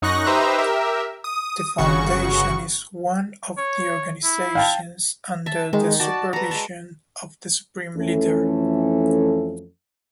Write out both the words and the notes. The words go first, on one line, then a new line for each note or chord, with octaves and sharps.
The foundation is one of the organizations under the supervision of the Supreme Leader.
F#2 D#4 C#6 F#6 A#6
D#4 G4 B4 C5 E5 A#5
G4 A#4 E5
D#6
G1 C#3 F#4 C#6
C#5
E4
F5 G5 A5
E5 A5
D#3 G#3
F#4 D5 A5
A4 B4 A#5
G#3 A5
F2 E3 A3 C#4 A4